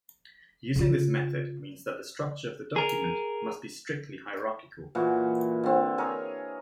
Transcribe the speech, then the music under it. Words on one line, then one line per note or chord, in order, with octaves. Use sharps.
Using this method means that the structure of the document must be strictly hierarchical.
C#3 F4
G#4 A#4
A#2 E3 F#4
D3 C4
G#4 A#4 C#5